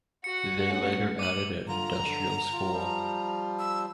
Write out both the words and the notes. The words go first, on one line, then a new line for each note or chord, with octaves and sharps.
They later added an Industrial School.
F#4 F#5 C#7
A3 C#4
D6 D#7 F#7
D3 F4 A#5
D3
F4
F3 G3
E6